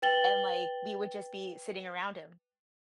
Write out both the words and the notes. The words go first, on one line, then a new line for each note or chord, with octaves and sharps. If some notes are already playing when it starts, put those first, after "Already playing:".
and, like, we would just be sitting around him.
B4 G5 A6 F#7 G7